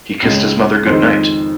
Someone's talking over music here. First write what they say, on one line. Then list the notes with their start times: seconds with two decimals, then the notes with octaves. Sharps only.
He kissed his mother good-night.
0.23 C#2 C#3 G#3
0.86 F2 D#3 G#3 C5